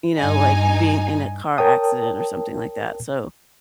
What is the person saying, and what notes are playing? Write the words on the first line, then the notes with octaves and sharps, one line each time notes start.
you know, like being in a car accident or something like that. So,
G2 D#4 G#5
A#4 C#5 G5 A5 D#6